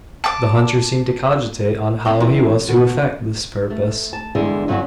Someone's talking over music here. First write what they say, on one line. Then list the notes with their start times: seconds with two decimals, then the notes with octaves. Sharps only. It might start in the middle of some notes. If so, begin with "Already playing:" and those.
The hunter seemed to cogitate on how he was to effect this purpose.
0.24 A5 D6
2.05 A#2 A3 C4 D#5 B5
2.20 E3 G3 A#5
2.68 A2 D3 D#3 D4 F#4 A4 B4
2.83 D2 A#2 C#3 B3
3.70 A3
4.13 A5
4.35 E2 G2 D3 G#3 D4 E4
4.68 G2 D3 F#3 C#4 E4 F#4